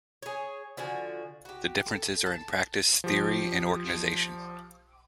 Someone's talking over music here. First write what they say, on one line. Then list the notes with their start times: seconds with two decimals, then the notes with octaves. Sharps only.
The differences are in practice, theory and organisation.
0.23 G#4 C#5
0.77 D3 F3 F#4 G#5
1.45 F#4 G4
1.88 A4
2.26 A5
3.04 F3 G4